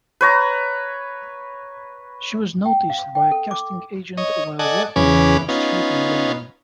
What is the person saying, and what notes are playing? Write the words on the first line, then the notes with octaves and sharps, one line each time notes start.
She was noticed by a casting agent while walking down a street in London.
B4 C#5 A#5
G5
F5
G5
A4
D6
C#5 D#5
A4 D5 D#5 F#5 G#5
E2 C#3 C#4 G#4 B4 D6
B3 C#4 D#4 F4